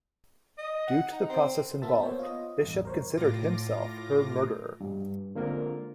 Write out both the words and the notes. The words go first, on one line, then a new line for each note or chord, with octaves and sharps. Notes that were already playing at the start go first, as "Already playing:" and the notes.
Due to the process involved, Bishop considered himself her murderer.
D#5
F#5
D#4
C4
A#3 B3 F4 E5 A5
B3 C5 C#5
F4 D#5
A1 E2 G2
A#4 C5 C#5
A2 F4 D6 A#6
G2
D3 G#3 A#3 C4 F4 A#4